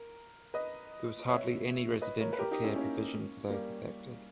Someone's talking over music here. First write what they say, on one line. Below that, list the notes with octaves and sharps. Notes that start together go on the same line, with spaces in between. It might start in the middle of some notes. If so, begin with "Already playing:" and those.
There was hardly any residential care provision for those affected.
Already playing: A#4
B4 D#5
C#5 E5
B4 D#5
A#4 C#5
B4
G4 A#4
D#4 G4
C#4 E4
A#3 C#4
G3 A#3